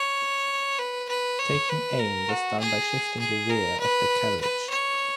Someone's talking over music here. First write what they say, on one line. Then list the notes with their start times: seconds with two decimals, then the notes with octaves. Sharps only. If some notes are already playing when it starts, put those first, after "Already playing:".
Taking aim was done by shifting the rear of the carriage.
Already playing: C#5
0.78 B4
1.08 B4
1.39 C#5
1.69 B4
1.99 A#4
2.29 F#4
2.59 G#4
3.19 G#4
3.50 A#4
3.80 B4
4.40 B4
4.70 C#5